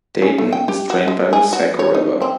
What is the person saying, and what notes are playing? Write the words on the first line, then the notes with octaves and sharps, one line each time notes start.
Dayton is drained by the Saco River.
C#4
A3
G5
G4
F#4
G#3
G#4
F#4
C#5
D#4
C4